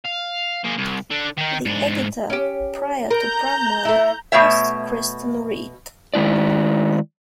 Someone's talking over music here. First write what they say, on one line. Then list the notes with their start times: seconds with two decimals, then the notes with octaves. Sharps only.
The editor prior to Bramwell was Kristan Reed.
0.05 F5
0.64 A#3 G#4
0.78 C2
1.10 D3 D4
1.38 D#3 D#4
1.65 G#2 D4
2.30 C#4 G4
3.10 A#4 A#5 G6
3.85 A3 E4
4.32 B2 A3 C#5 E5
6.14 D#3 G#3 E4 D5